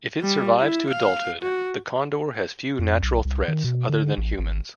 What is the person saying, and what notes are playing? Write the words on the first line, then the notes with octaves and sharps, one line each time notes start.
If it survives to adulthood, the condor has few natural threats other than humans.
G3
E4
F5
F#4
F2
B1
C2
D#3
B2
D3
A1
G#1